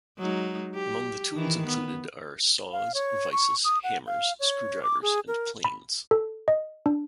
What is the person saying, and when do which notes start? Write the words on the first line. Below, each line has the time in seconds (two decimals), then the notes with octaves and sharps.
Among the tools included are: saws, vises, hammers, screwdrivers, and planes.
0.19 F#3 G#3 D#4
0.75 G4
1.33 D#3 E3
1.67 B3
2.72 F5
2.94 C#5
3.32 C#6
3.64 D#6
3.84 F#5
4.07 F5
4.40 C#5
4.83 D6
5.02 G#4
5.28 A#4
5.64 B5
6.11 A4
6.48 D#5
6.86 D4